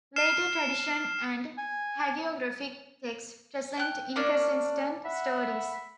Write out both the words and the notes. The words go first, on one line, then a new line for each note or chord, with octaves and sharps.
Later tradition and hagiographic texts present inconsistent stories.
F6 C7 E7
G#5
G5 F#6
A#3 C#4 D4 D5
E5 F#5 B5